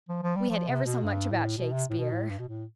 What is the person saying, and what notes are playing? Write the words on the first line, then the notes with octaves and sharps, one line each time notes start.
We had ever so much about Shakespere.
F3
F3
G3
F3
C3
B2
G2
A2
B2
C3
A2
B2
A2
G2
B2
A2